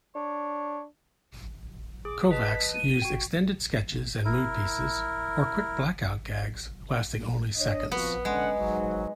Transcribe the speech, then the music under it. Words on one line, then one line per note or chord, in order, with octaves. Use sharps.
Kovacs used extended sketches and mood pieces or quick blackout gags lasting only seconds.
D4 C#5
G#4 D6
B4 D#5 A5 B6
D#7
F#4 G5
E4 A#4
D4 C#5 D#5
F3 B3 C4 F#4
D3 G#3 C#4 F#5
G#2 F#3